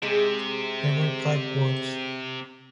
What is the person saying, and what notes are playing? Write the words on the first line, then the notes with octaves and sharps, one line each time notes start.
There were five wards.
C3 G#3 G#4